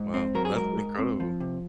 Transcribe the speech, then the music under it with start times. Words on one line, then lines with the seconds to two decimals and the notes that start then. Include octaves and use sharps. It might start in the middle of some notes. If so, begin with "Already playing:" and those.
Wow. Well, that's incredible.
Already playing: G#2
0.14 C4
0.35 F#3 A#4
0.45 G#4
0.56 G#2 A#4
0.77 G#2
0.99 C4
1.20 F3
1.40 C3